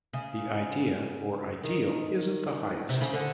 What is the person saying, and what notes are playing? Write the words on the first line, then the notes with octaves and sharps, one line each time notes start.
The idea, or ideal, isn't the highest.
C#3
D#3
C3
C#3
D3